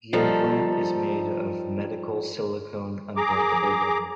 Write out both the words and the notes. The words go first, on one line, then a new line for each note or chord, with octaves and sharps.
The implant is made of medical silicone unbreakable rubber.
F3 G3 D#4 A4
G#4 A#5 D6